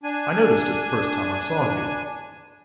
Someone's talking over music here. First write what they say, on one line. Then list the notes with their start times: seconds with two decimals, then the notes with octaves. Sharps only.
I noticed it the first time I saw you.
0.04 D4 G#5